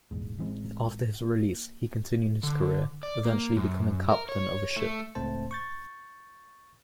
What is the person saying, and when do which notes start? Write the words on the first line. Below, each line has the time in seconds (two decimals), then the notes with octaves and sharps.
After his release he continued his career, eventually becoming captain of a ship.
0.11 A#1 E2 G#2
0.38 A1 E3 G#3 C4
1.21 A#3
2.43 D3
3.03 D5
3.25 A#3
3.56 F#2
4.09 A#4
4.29 C#5
4.76 A3
5.15 C#2 A2 A3 C4 C5 A5
5.51 C#6 G6 A6